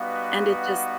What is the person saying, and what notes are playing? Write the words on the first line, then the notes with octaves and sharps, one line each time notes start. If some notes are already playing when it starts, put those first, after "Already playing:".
and it just
Already playing: G3 B3 D#4 F#4 B4 F5
F#5